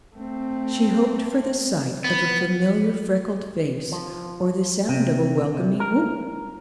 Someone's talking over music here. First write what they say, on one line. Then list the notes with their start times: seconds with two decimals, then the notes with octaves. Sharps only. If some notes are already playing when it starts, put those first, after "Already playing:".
She hoped for the sight of a familiar freckled face or the sound of a welcoming whoop.
0.16 A3 C4
2.04 B3
3.92 F3
4.88 C3
5.54 C3
5.80 A#4